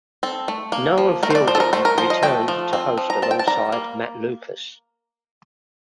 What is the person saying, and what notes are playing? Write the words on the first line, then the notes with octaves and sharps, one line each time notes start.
Noel Fielding returned to host alongside Matt Lucas.
C4 A4
A3
A#3
F3
A3 A#4
C5
D5
F3 C5
A4
A#4
A3 C5
A#4
F3 C5
D#5
A3 G5
F3
C4
F3
A#5
C4 A5
G5
A5
G3 A#5
A#3